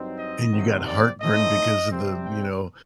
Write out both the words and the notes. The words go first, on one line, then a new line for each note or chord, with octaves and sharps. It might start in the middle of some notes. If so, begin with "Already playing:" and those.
And you got heartburn because of the, you know,
Already playing: G2 F#3 C4 D#4
D#5
C3 D#3 F#3 C4
D5
A2 A3 C4 D#4 D#5
C3 G3 C4
G5